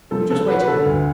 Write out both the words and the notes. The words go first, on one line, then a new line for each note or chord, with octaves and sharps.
You just wait a bit.
F3 A4
C#3 A4
F#4 B4
B4
D3 A4
D2